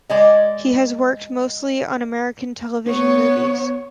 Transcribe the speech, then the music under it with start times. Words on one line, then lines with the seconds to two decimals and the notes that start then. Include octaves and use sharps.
He has worked mostly on American television movies.
0.10 G#3 D5 D#5
2.87 B3 C#5